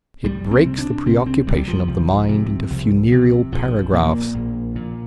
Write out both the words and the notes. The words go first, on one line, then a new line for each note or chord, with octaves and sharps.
It breaks the preoccupation of the mind into funereal paragraphs.
C2 G3
C4
C3
D4
C2 C4
C4
C3 G3
G3
F3
C2
C3
C2
C3
A#1 F3
A#2 A#3
A#1
A#2